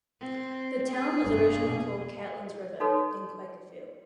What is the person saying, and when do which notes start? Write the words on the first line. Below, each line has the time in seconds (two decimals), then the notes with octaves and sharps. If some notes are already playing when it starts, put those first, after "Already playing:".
The town was originally called "Catlins River", then "Quakerfield".
0.20 C4
0.91 G#4
1.22 F1 G2
1.62 B2
2.80 D#4 F#4 A4 B4 C#5